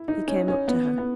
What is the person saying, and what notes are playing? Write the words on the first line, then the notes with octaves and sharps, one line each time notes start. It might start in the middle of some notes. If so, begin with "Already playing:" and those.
He came up to her.
Already playing: E4
D#4
C#4
C#4
B3
B3